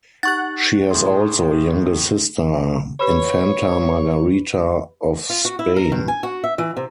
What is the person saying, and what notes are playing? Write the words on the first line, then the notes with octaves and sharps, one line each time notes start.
She has also a younger sister, Infanta Margarita of Spain.
D#4 G4 F#5 C#6 F#6 A6
A2 G#4 C6
G4 B4 C#5 B5
F4
F#4
E4
A#4
G2
G#5
F#4
E5
E3
C3